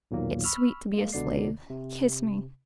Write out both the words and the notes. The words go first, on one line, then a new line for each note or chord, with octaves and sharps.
It's sweet to be a slave. Kiss me!
B1 E2 A#2 D#3 F#3 A#3
B5 C#6 E6 F6
G#3 A#3
C#2 B2 D3 D5 C7
C3